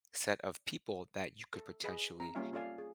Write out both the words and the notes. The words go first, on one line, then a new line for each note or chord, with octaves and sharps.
set of people that you could, potentially,
A4
G#4 B4 D#5 B5
C4 A#5
G3 A#3 C#4 F4 E5 F5
C#4 F4 A4 D5 F5 G#5
G#4